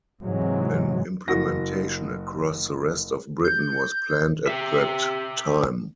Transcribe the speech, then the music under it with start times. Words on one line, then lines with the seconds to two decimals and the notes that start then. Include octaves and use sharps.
An implementation across the rest of Britain was planned at that time.
0.22 G#2 C3 E3 F#3 G#3
1.28 F#1 F#4 A#6
3.45 G6
4.48 G4 E5